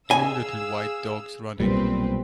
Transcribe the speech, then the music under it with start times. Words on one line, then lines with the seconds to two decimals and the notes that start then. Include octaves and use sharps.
Two little white dogs running.
0.11 G#4 F5 G#5 E6
1.60 B1 A#2 G3 C4 B4